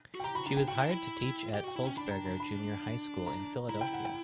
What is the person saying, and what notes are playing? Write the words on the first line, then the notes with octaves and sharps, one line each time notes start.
She was hired to teach at Sulzberger Junior High School in Philadelphia.
F#4
G5
G4 A#5
F#4 B5
D4 A#5
D4 G5
F#4 G5
E4
D4
E4
G4 G5
F#4 G5
E4
C#4 G5
D4 B5
A#5
A#5
B5
A#5
E4 A#5
G5
F#5
G5